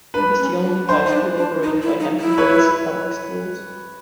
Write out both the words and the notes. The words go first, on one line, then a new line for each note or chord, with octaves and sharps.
It is the only high school operated by Hampton Bays Public Schools.
D4 B4
C#4
D4
D4 C5
D#4
D4
D4
D#4
E4
D#4
E4
B4 C#5